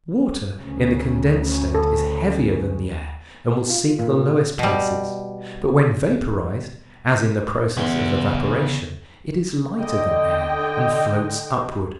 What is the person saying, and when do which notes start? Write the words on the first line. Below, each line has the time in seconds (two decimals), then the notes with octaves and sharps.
Water in the condensed state is heavier than the air and will seek the lowest places, but when vaporized, as in the process of evaporation, it is lighter than air and floats upward.
0.59 D2 C#3 C#4
1.75 A4
3.69 F4
3.99 A#2
4.59 B2 G3
7.77 E2 C#3 C6
9.80 D3 D#5 G5